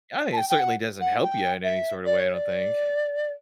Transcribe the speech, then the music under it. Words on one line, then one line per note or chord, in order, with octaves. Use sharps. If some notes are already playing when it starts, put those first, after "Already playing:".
I it certainly doesn't help you in any sort of way, I don't think.
A5
G5
G5
F#5
F#5
G5
E5
D5
C#5
D5